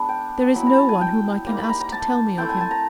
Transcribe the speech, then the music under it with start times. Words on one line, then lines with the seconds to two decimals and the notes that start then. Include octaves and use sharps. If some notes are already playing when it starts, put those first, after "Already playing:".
There is no one whom I can ask to tell me of him.
Already playing: G#3 B3 D4
0.09 G5
0.54 F#3 B3 E4 B5
0.66 A#5
0.77 A5
0.89 G#5
1.01 G5
1.46 G3 A#3 D#4 A#5
1.57 B5
1.69 A#5
1.80 A#5
1.92 A5
2.37 A3 C4 E4 G5
2.49 G#5
2.61 A5
2.71 A#5